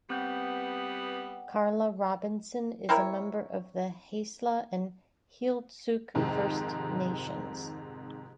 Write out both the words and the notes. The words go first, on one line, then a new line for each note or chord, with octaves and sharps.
Carla Robinson is a member of the Haisla and Heiltsuk First Nations.
G3 B3 C4 F#5 G5 G6
C4 E4 A#4 C#5
F2 G#2 C3 D#3